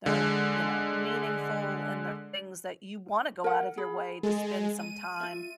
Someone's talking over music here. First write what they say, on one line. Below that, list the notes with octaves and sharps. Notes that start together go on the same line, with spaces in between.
They're, you know, meaningful, and they're things that you wanna go out of your way to spend some time,
D3 G#3
A#4 F#5
G#4 B5
G#3 A4
D#7
F4 E5